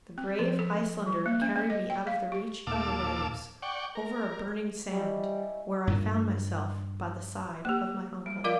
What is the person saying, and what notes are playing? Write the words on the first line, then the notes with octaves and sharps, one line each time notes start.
The brave Icelander carried me out of the reach of the waves, over a burning sand where I found myself by the side of my uncle.
C4
F3
A4
G3
A#3
C#4
C#4
D#5
G5
F5
G4
D#2 A#2 F5 A5 D6 E6
D5 F#5 G5 C#6
A#4
G3 C#4 E4 D#5
G2 A#2 D#3
A#3 G4
G3
F3 F4 A#4 D5 F5